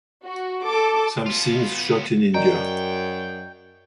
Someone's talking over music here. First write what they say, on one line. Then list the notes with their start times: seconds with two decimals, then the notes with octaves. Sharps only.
Some scenes shot in India.
0.23 F#4
0.65 A4 D6
1.26 B3 F4
2.34 F#2 D5 D#5 G5 A#5